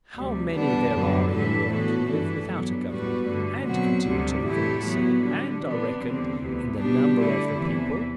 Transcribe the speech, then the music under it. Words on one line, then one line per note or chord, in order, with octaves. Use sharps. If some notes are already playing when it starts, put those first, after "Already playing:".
How many there are in the world who live without a government, and continue to live all the same, and are reckoned in the number of the people.
D2 C3 G3
E2 D3 G3 B3 D4
F#2 D3 G3 B3
A2 E3 G3 D4 A4
E3 B3 F#4 A4
G2 E3 A3 D4 A4
F#3 B3 D4
A2 G3 B3 F#4 B4
G2 D3 A3
B2 F#3 C4 F#4
D2 C3 G3
A2 E3 A3 E4 G4
F#3 B3 F#4
D3 G3 D4
C3 E3 B3 D4
E2 D3 G3 C4
D2 C3 E3 B3
B2 G3 B3 D4 G4
D3 A3 E4
E2 C3 E3